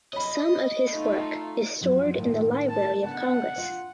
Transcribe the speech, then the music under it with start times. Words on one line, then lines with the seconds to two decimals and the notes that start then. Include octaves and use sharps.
Some of his work is stored in the Library of Congress.
0.13 C#5 D#5 B5
0.89 A3 D#4 F4
1.81 F#2 F3 F#3
2.17 A2 D#3 F4
2.69 A5
3.04 C#3 B3 D4 F#5
3.58 F4